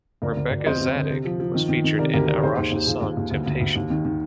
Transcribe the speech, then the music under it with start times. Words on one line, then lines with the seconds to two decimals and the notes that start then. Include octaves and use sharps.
Rebecca Zadig was featured in Arash's song "Temptation".
0.22 D2 A#4 D5
0.37 D2
0.51 D2
0.60 D5
0.66 F2 C5 D#5
0.81 F2
0.96 D3
1.10 C3
1.25 F3
1.40 F3
1.54 D#3
1.69 D#3
1.84 D#3
1.99 C3 A#4 D5
2.13 D2 G4 A#4
2.28 C3 A#4 D5
2.43 D#3 G#4 C5
2.58 D#2
2.72 D#2
2.87 D#2 F4 G#4
3.01 D#2
3.17 D#2
3.31 D2
3.46 D2
3.61 D2
3.76 D#2
3.90 D#3
4.05 D#3